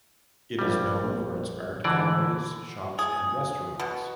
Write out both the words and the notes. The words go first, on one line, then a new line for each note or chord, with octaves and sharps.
It is known for its art galleries, shops and restaurants.
A#1 G3
D3 E3 D5
G#4
B2